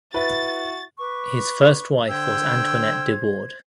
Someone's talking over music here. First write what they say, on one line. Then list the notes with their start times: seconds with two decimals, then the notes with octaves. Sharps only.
His first wife was Antoinette de Bord.
0.14 E4 F#4 B4 E5 A6
0.98 B4 C#6 D6
2.09 D3 C5 G5 E6 G#6